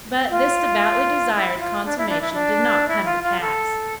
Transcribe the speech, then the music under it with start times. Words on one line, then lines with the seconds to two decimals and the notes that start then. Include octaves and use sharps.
But this devoutly desired consummation did not come to pass.
0.29 F4
1.34 E4
1.59 F4
1.85 D4
1.97 E4
2.09 D4
2.21 E4
2.33 D4
2.88 E4
3.05 F4
3.23 F4
3.40 A4